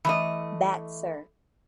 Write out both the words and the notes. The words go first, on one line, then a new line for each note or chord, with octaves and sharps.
Bad, sir.
E3 A3 D#5